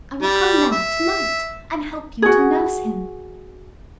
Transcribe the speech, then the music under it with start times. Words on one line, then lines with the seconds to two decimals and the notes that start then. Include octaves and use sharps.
I will come now, to-night, and help you to nurse him.
0.22 G3
0.72 E5
2.22 F#4 G#4